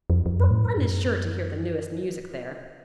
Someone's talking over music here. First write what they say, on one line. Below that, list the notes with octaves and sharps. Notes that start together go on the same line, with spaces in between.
But one is sure to hear the newest music there.
F2
F2
F#2
A2
F#2